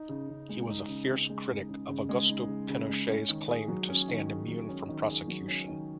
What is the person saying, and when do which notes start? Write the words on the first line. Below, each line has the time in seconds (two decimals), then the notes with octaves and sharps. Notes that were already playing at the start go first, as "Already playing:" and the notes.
He was a fierce critic of Augusto Pinochet's claim to stand immune from prosecution.
Already playing: D#4
0.09 C#3
0.29 C#3
0.49 G#3
0.69 D#4
0.89 C#3
1.08 C#3
1.30 G#3
1.49 D#4
1.69 C#3
1.89 C#3
2.09 G#3
2.29 D#4
2.49 C#3
2.69 C#3
2.89 G#3
3.08 C#4
3.29 D#3
3.48 G#4
3.68 F#3
3.88 C#4
4.08 D#3
4.28 G#4
4.48 F#3
4.69 C#4
4.89 D#3
5.08 G#4
5.28 F#3
5.48 C#4
5.68 D#3